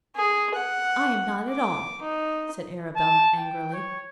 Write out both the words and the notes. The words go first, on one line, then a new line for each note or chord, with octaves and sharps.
"I am not at all," said Arabella, angrily.
G#4
F#5
D6
D#4
A5
G5
C#5